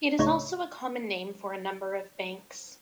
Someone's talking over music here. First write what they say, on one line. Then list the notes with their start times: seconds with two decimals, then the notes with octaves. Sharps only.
It is also a common name for a number of banks.
0.19 C#2 A2 D#4 C#5